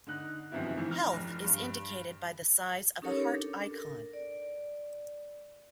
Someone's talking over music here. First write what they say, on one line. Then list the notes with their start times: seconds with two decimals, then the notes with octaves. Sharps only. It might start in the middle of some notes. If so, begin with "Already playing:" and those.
Health is indicated by the size of a heart icon.
0.07 D3 D#4 F#6
0.52 F#2 C3 D#3 F3 B3 E4
0.76 D#3 E3
0.91 F6 A#6
1.13 F1 F2
1.44 G2
3.02 C#4 D#4 G4 A4 A#4 C#5
3.26 D4 A4
3.73 A#4
4.13 D5